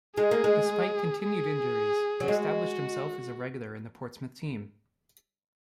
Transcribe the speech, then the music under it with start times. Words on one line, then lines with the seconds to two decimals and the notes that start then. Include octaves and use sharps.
Despite continued injuries, he established himself as a regular in the Portsmouth team.
0.17 G#3 G#4
0.31 A#3
0.44 G#3
1.23 G#4
2.20 F#3
2.28 G#3 F#4